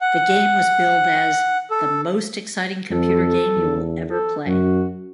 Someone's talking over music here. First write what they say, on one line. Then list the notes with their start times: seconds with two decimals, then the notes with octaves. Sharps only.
The game was billed as "the most exciting computer game you will ever play".
0.01 F#5
1.70 A4
2.91 F2 A4
3.57 E2
4.09 A4
4.47 F#2 F#4